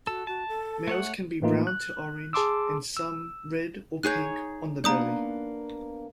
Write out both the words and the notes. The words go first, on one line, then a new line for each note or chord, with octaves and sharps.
Males can be brown to orange and some red or pink on the belly.
F#4 A4
F#4 A5
A4
A3 C#5 F#5
A2 E3 A3 A#3 D#4 F4
F#6
G#4 A5 C6 D6 E6
E6
D#4 G#4 C#5 F#6 G6
A#3 B3 D4 F#5 A#5 D#6 G6